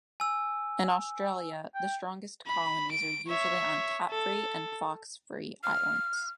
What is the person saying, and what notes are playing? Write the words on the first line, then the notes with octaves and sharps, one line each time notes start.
In Australia, the strongest colonies are usually on cat-free and fox-free islands.
G#5 E6
G5
B5
D7
C#5 E5
A4
F6